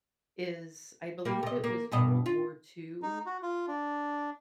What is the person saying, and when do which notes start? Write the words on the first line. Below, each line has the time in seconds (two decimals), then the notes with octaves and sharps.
is, I believe it was World War II
1.25 G3 A#3
1.43 C3 D#5
1.64 A#3
1.92 G2 B2 D#5
2.26 F4
3.02 D#4
3.26 F#4
3.43 F4
3.68 D4